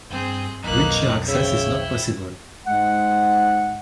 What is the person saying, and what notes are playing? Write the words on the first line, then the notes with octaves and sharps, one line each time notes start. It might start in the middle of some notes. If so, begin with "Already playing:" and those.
Wheelchair access is not possible.
G2 C4 G#4
B1 F2 A#3 D#4 B4 F#6
C#3 E4 C#5 G5
G#2 G#3 F#5